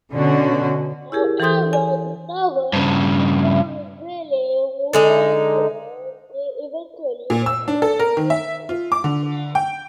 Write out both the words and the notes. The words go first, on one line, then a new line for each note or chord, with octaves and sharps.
However, the novel ends before revealing whether they eventually go through with this plan.
B2 D3 C#4 F#4
E4 G4 G#4 A#4
E3 A4 C5 C6 D#6 G6
G#5
G2 C#3
D3 G#3 D#4
A#2
E6
D4
A4
A#4
D#3
E5
F4
D6
D3
G5